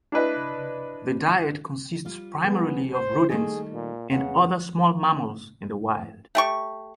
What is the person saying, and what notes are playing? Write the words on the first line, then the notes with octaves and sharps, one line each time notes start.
The diet consists primarily of rodents and other small mammals in the wild.
D4 E4 B4 D#5
G3 F4
B3 G#4
C5
D#3 G3 A3 G#4
A#2
E2 C#3 F#5
A3 G4 C#6